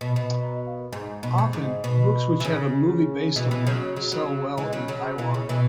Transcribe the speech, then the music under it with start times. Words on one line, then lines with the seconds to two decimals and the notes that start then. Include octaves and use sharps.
Often books which have a movie based on them sell well in Taiwan.
0.01 B2
0.16 B2
0.93 G#2
1.23 B2
1.38 G#2
1.53 G#2
1.84 B2
2.40 E3
2.45 C#3
3.36 B2 E3
3.51 B2 E3
3.67 C#3 F#3
3.96 C#3 F#3
4.12 C#3 F#3
4.57 E3 G#3
4.73 C#3 F#3
4.88 C#3 F#3
5.18 B2 E3
5.34 C#3
5.49 B2 E3